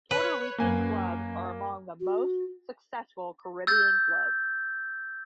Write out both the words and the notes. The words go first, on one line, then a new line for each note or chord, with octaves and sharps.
Puerto Rican clubs are among the most successful Caribbean clubs.
B4 C#5
F#2 A#3 G#5
F#4
E6 G6 A6